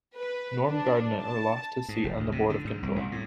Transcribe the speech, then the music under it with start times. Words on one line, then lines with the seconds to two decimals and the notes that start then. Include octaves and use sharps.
Norm Gardner lost his seat on the Board of Control.
0.17 B4
0.66 D4
1.23 A5
1.88 G#2
2.04 F1
2.16 D2
2.32 C3
2.50 D3
2.65 G#2
2.83 C2
2.96 C2
3.12 A2